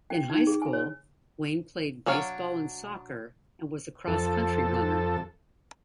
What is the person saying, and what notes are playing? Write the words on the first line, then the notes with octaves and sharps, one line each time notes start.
In high school, Wayne played baseball and soccer, and was a cross country runner.
G5
D#4
G#4
G#5
C#5
F#3 D4 C#5 F5
F2 A4